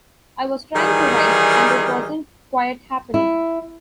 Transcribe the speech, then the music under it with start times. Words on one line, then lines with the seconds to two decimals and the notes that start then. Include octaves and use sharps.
I was trying to write and it wasn't quite happening.
0.76 D#3 E3 G3 D#4 G#4
3.14 E4